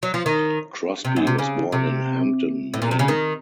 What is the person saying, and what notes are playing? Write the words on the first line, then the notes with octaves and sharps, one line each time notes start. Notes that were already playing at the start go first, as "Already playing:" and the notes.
Crosby was born in Hampden, Maine.
F#3
F3
D#3
C3
F#2
C3
C#3
C3
A2
A#2
C3
C#3
D#3